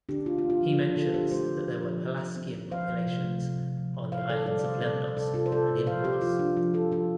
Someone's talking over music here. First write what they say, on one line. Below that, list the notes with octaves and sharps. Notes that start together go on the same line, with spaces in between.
He mentions that there were Pelasgian populations on the islands of Lemnos and Imbros.
D3 D4 G4
A3 F4
F4
A3
F4
F3
D4
F3 F4
D3 F4 A4
C4 G4 C5
A3 G4 C5
D3
F3
F3
F3
F3
C4
C4
F3 C5 F5
F3
C3
A3
C3
C3
F3
F3
F3 C5 F5
D3 A4 D5
G3 A4 D5
D5
C3 C5 F5
C4 A4 D5
G3
C5
C3 A4 D5
C3 F4 A4
C5
C4 A4 D5
A3
F3 C5 F5
C4 G4 C5
F3 F4
F3 D4
F3 F4
F3 F4 A4
F3 F4 A4